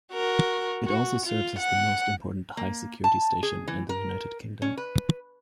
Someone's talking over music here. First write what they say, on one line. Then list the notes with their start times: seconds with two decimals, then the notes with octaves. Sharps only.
It also serves as the most important high-security station in the United Kingdom.
0.13 F#4 A#4
0.86 F#4
1.26 F4
1.59 F#5
2.57 A#3
3.04 A5
3.43 G#4
3.68 E3
3.89 A#4
4.62 C#4
4.77 B4